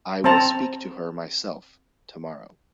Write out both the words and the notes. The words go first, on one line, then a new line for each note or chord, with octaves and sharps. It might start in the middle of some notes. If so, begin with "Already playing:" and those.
I will speak to her myself tomorrow.
C4 C5 A5 A#5